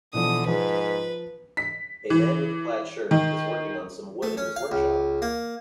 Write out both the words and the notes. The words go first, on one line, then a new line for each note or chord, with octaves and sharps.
A man with a plaid shirt is working on some wood in his workshop.
B2 D3 E3 F3 D#6
G#2 F3 B4
B6
E3
D#3
A3
C#4
F5
C#2
A#3